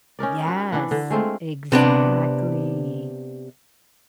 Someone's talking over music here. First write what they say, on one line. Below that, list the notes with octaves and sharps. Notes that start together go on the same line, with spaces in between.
Yes, exactly.
C#4 D#4 A#4 D5
F#4
E3 D4 E4 F#5
D3
G#3 A3 C4 F4
C3 B3 D4